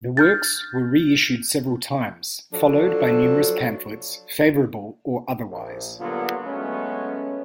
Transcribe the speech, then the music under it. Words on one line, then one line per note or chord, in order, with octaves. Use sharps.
The works were re-issued several times, followed by numerous pamphlets, favorable or otherwise.
F6 G6 A6
F3 F#3 D4 A4
A#1
D3 F#3 G3 A#3 B3 F4
F#3 G#3 A3 B3 C#4